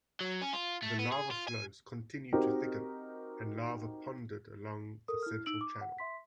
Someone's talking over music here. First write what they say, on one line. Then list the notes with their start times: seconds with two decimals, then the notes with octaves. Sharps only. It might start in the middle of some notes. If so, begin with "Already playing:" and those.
The lava flows continued to thicken, and lava ponded along the central channel.
0.21 F#3
0.41 C#4
0.53 F4
0.83 A3
0.99 B3
1.12 G#4
1.31 F4
1.48 G#5
2.33 C4 D#4 F#4 G4 A#4
5.08 A4 A#4 D#6
5.23 E4 F6
5.46 D#4 E6 D7 F#7
5.61 D6
5.81 F#5
5.98 E5 C6 B6